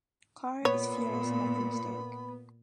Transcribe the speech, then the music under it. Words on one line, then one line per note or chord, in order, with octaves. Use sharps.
Carr is furious about the mistake.
A#2 B3 C#5 B5